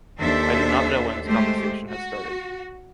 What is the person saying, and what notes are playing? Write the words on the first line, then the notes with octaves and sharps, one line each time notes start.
I do not know when this conversation has started.
D#2 D4 A4 C5 E5
G#3 A3 G4 C5
F#4